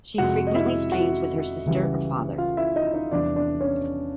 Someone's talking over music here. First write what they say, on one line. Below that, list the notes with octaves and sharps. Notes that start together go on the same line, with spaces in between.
She frequently streams with her sister or father.
F2 C3 F3 G#3 F#4 F#5
D#5
E4 E5
F#4 F#5
C#2 C#3 E3 G3
F4 F5
E4 E5
D#4 D#5
D#4 D#5
E2 C3 E3 G3 D4 D5
D4 D5
C#4 C#5